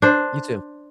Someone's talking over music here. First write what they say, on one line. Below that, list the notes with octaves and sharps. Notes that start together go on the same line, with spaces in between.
You too.
D4 C5